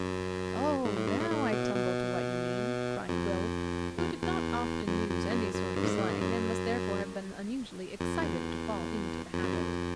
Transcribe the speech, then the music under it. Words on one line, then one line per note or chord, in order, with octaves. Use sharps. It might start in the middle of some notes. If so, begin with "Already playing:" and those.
"Oh! now I tumble to what you mean," cried Will, who did not often use any sort of slang, and must therefore have been unusually excited to fall into the habit.
Already playing: F#2
G#2
A2
G2
A2
A2
B2
B2
F2
E2
E2
F2
F2
F#2
F#2
G2
A2
G#2
A2
G2
F#2
F2
E2
F2
F#2
F2